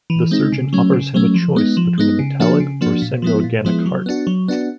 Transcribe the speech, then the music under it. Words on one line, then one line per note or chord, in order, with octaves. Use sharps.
The surgeon offers him a choice between a metallic or semi-organic heart.
E3
G#3 C4 D#4
C#3
F#3 A3 C#4
C#3
F#3 A3 C#4
F3
G#3 B3 D#4
F3
G#3 B3 D#4
C#3
F3 A#3 D4 F#4
C#3
F3 A#3 D4 F#4
A#2
F3 G#3 B3 E4
A#2
F3 G#3 B3 E4
F#3
B3 D4 F#4
F#3
B3 D4 F#4